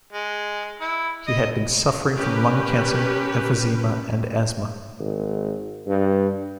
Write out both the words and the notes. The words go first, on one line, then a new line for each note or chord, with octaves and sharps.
He had been suffering from lung cancer, emphysema and asthma.
G#3
E4
D#5
C#4 G4 A#4 B4
G#1
G2